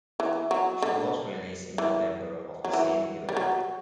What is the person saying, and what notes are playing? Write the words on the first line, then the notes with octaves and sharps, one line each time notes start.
She was released in November of the same year.
E3
F#3
D3
E3
F#3
E3
G3
F#3